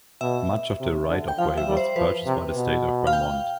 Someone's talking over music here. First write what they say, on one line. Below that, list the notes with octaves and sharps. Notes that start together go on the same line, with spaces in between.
Much of the right-of-way was purchased by the State of Vermont.
B2 E5
C3
D3
G5
F3 F5
E5
G3
C5
F3 B4
C3
B2
F5
G5